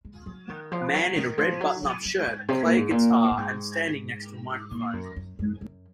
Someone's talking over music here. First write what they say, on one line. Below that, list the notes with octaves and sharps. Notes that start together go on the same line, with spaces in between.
A man in a red button up shirt play a guitar and standing next to a microphone.
G#3
F#3
D#3
F3
F#3
D#3
F3
F#3
F#3
F#3
G#2
C3
A#2
G#2
A#2
A#2
G#2
A#2
F#2
F#2
F#2
F#2